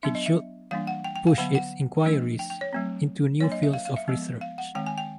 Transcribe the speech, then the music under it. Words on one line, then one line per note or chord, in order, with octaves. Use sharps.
It should push its inquiries into new fields of research.
F#3 B3 D4 E5
D#5
E5
E3 G3 A#3 D4 F5
F#5
G5
G5
F5
D3 F#3 B3 F#5
F#5
F3 A3 D4
G5
G5
C#5
F#3 A3 C4
F#3 A#3 D4 C#5
D#5
E5
F5
F5
E5
F3 G#3 B3
F5
F#5
D#3 G#3 C4 G5
G#5
G5